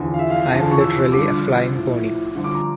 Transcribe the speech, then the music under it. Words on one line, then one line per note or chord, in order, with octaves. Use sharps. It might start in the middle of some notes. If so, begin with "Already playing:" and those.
I am literally a flying pony.
Already playing: E2 D3 F3
F5
E5
F5
F5
E2 D3 F3 A5
A5
C#6
E6
G2 D3 F3 D6
A2 F3
G2 D3 F3
D6
A#5